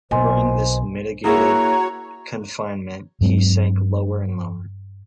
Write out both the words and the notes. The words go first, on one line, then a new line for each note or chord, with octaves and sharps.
During this mitigated confinement he sank lower and lower.
B1 B2 A#3 C5 D#5 G#5 C6
A#3 E4 F#4 G#4 C#5 A#5
G2 F#3 G#3 C4